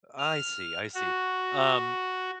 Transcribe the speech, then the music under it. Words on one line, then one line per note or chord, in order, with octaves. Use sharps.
I see, I see. Um,
F6
F#4